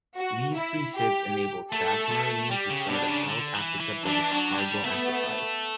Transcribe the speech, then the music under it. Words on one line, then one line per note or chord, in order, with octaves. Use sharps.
These three ships enabled Safmarine to start a South Africa-based cargo enterprise.
F#4
E4
G4
A3 A4
A3
G3 G4
C#3
B2 D4
C#3
D3
E3
E3
E3 D4
F#3
D4
G3
A3 B3